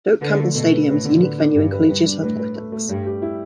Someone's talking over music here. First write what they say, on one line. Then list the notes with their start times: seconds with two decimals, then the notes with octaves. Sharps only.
Doak Campbell Stadium is a unique venue in collegiate athletics.
0.21 D3 B4
0.39 A3
0.55 B2 A3
0.71 B4
0.89 A2 B4
1.05 D3
1.22 B4
1.38 D4
1.55 G2 G3
1.72 B4
1.88 G2 B4
2.05 D4
2.22 A2 B4
2.39 B4
2.55 A3
2.72 A3
2.89 G2 G3
3.06 G4
3.22 E4